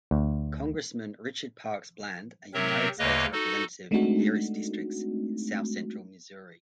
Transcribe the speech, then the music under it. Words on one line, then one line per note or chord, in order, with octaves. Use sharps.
Congressman Richard Parks Bland, a United States Representative from various districts in south-central Missouri.
D2
C3 F#3 C4 A#4 C#5 E5
D2 C#3 A#3 B4 C#5 D#5
D#4 F#4 A4
G#3 A3 C4 D4 D#4 F#4